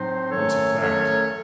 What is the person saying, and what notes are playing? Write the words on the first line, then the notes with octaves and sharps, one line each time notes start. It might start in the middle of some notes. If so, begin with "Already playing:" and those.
"That's a fact?"
Already playing: A2 F#3 C4 D#4 C5
D#3 F#3 A3 C#4 A4 C#5
D#3 F#3 A3 C#4 A4 C#5